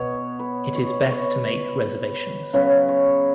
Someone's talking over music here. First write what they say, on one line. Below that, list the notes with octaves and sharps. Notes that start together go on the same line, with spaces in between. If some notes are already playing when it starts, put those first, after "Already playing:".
It is best to make reservations.
Already playing: B2 B3 C#5
B4
C#5
C#5
C#3 F#3 B3 B4
C#5